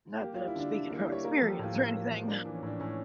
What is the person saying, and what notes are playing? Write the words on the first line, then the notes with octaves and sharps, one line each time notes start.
Not that I'm speaking from experience or anything.
A#3 G4
F4
G3
E4
D3 D4
D3 E4
D4
A#3
E4
G3 C#5
A#3 A#4
A4
F3
G4
A2 F4
A2
A#3
F3
A#3 D4
E3 D4
C#4
A2 D4
A2 C#4